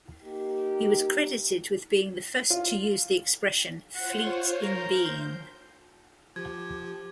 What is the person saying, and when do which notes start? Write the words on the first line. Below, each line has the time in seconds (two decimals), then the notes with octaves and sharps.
He was credited with being the first to use the expression, "fleet in being".
0.24 A#3 D#4 G4
2.50 F4
3.95 F4 C5 C#5 F#5
4.63 A#4 G6
5.05 C5
6.36 F3 G4 G#6